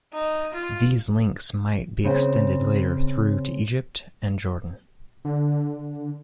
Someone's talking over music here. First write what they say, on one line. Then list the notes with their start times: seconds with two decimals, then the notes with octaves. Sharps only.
These links might be extended later through to Egypt and Jordan.
0.13 D#4
0.54 F4
2.04 C#3 C4 C5 F#5 G#5
5.25 D3